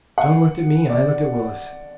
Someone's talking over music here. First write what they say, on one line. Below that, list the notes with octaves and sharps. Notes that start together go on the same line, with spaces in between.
John looked at me, and I looked at Willis.
F#5
D5